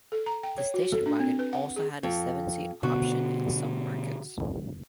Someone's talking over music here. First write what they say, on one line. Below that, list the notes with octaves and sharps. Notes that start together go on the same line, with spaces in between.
The station wagon also had a seven-seat option in some markets.
A4
A#5
G5
C#5
F#4
A4
D4
C4
B4
F#5
G#4
F2
B2 D3 B3 F#4